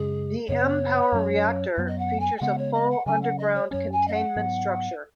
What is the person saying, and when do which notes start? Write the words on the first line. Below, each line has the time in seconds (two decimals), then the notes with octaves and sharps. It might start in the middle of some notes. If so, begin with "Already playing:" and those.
The mPower reactor features a full underground containment structure.
Already playing: F#2 C#3 G#3 G#4
0.48 F#2 C#3 B3 C#5
1.12 F#2 F#3 C#4
1.78 F#2 F#3 B3
1.88 D#5
1.99 F#5
2.20 G#5
2.38 G#5
2.41 C#3 G#3 B3 F#5
2.58 C#5
2.74 D#5
2.91 F#5
3.06 C#3 F#3 C#4 G#5
3.22 F#5
3.39 D#5
3.55 C#5
3.71 F#2 F#3 C#4 C#5
3.92 G#5
4.08 D#5
4.13 F#5
4.36 G#2 F#3 B3